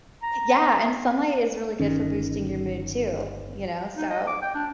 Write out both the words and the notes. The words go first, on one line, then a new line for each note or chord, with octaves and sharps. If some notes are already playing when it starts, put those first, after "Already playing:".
Yeah, and sunlight is really good for boosting your mood too, you know, so
A#5
G1 D#3 C#4
D#4
D#5
D6
G5
D4